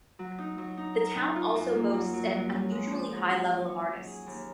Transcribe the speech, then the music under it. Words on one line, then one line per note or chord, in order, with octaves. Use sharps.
The town also boasts an unusually high level of artists.
F#3
D#4
F#3
D#4
A#4
D#4
F4
F#2
A#3
F#3
F#3
F#3
C#4
G#3
F3
G#2
C#4
F#3
C#5
F#3
G#4
D#2